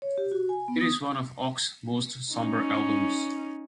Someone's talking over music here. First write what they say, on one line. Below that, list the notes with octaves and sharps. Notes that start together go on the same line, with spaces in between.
It is one of Ochs's most somber albums.
C#5
G4
F#4
G#5
B3
D#6
C#4 D#4